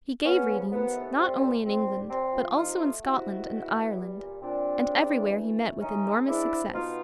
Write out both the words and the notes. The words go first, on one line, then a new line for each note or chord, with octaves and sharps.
He gave readings, not only in England, but also in Scotland and Ireland, and everywhere he met with enormous success.
C#3 B3 C#4
F3
D#2 B3
A3
G3 C4
A#2
A#2 C4
G3
A#2 C4
F3
C2 D#4 F4
A3
C3 E4 F#4
D#3
E2
E2
G3
A#2
A#2 C4 D4
G3
C#3
E3
D2
A3
D#3 C#4 D#4
G#3
G#2 D4 E4
G#2
B2 D#4 F4